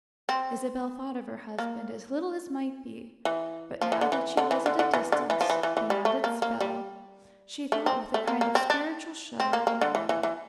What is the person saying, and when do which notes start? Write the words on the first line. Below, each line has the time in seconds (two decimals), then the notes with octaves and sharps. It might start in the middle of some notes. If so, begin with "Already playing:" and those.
Isabel thought of her husband as little as might be; but now that she was at a distance, beyond its spell, she thought with a kind of spiritual shudder of Rome.
0.29 C4
1.58 A#3
3.25 E3
3.81 F3
3.92 E3
4.01 D3
4.12 E3
4.37 D3
4.51 E3
4.66 D3
4.79 D3
4.93 E3
5.12 D3
5.30 E3
5.41 F3
5.50 E3
5.63 E3
5.77 E3
5.90 G3
6.05 A3
6.24 A#3
6.42 A#3
6.61 G3
7.72 A3
7.86 C4
8.14 A3
8.27 A#3
8.41 A#3
8.55 C4
8.70 D4
9.40 C4
9.53 A#3
9.67 A#3
9.81 D3
9.95 E3
10.09 E3
10.23 E3